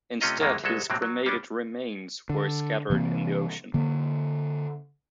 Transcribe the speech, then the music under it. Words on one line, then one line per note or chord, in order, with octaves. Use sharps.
Instead, his cremated remains were scattered in the ocean.
C3 A3 C#4 F4 D#5 A#5
F#2 D#3 E3 G#3 A#3
C2 F#3 G#3 A4 E5
A2 C3 F#3 A#3 C4
F#3
G3 C#4 D4
D3
C3 E3 A#3 C4
D3 A#3